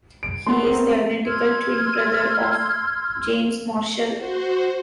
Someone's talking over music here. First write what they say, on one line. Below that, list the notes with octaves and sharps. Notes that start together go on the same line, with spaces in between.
He is the identical twin brother of James Marshall.
D7
A3 B3 C6
C4 A#4
C6 E6 F6 G#6
F#4 C5